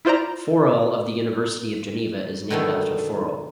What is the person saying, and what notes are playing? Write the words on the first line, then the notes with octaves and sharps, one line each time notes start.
Forel of the University of Geneva is named after Forel.
E4 F4 C5 D5 A#5
B2 D3 D#3 G#3 A3